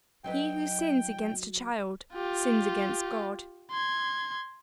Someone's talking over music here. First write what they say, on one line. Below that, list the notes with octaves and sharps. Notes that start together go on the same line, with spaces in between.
He who sins against a child, sins against God.
F#3 D#4 B4 G5
F4 G4
C6 G#6